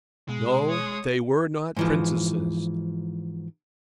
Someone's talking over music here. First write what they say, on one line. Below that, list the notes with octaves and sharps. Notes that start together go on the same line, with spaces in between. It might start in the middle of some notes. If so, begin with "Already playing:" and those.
No, they were not princesses.
B2 G#3
C#5 D#6
G#2 E3 F3